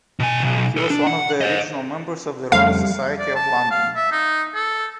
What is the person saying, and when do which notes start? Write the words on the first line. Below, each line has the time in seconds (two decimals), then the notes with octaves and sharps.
He was one of the original members of the Royal Society of London.
0.20 B2 G#5
0.44 B1
0.77 A4 B4
0.90 D4
1.07 F#5
1.41 C5 D#5
2.52 F2 C#3 G3 A3 F5
3.18 D5
3.35 A5
3.71 F5
3.96 E5
4.12 D#4
4.55 A4